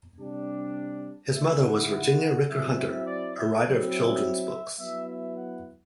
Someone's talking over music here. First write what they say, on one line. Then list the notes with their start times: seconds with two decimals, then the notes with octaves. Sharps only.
His mother was Virginia Ricker Hunter, a writer of children's books.
0.19 C3 G3 D4
1.34 D3 A3 E4 E5
1.64 F#5
1.92 F#5
2.49 F#3 C4 E4 E5
2.78 E5
3.06 D5
3.35 E5
3.64 F#3 C4 E4
3.94 E5
4.79 F#3 B3 E4 E5
5.07 E5
5.37 F#5